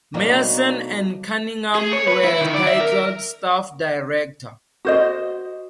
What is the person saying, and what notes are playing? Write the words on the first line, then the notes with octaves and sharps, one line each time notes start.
Meyerson and Cunningham were titled "Staff Director".
B2 F#3 A3 A#3 D4 D#4
G#4
C#5
B4
E4
D#3
D5
E5
A#4
F#4 C5 D#5